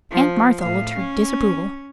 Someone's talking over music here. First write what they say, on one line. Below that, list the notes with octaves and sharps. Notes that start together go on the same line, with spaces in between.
Aunt Martha looked her disapproval.
F3
A2 F5
C#4